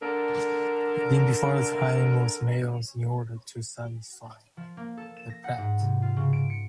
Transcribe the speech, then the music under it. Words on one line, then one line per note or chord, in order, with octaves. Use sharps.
Eating before the "time" of meals in order to satisfy the palate.
D3 D4 A4 A#4
F3
A#3
A4
E7
A#6
F#5
G#2
C3
F4
C#3
D7
C#7